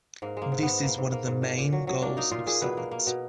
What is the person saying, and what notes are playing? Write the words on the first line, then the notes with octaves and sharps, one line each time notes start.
This is one of the main goals of science.
G#2 A#3
G#3 A#3
G#2
G#2 B3
A#3
G#2
A#3
G#2
A#2
A#2
F#3
F#3
A#3 D4
A#3 D#4
A#2 F4
A#2 G#4
B2 B4
A#3
A#3
B2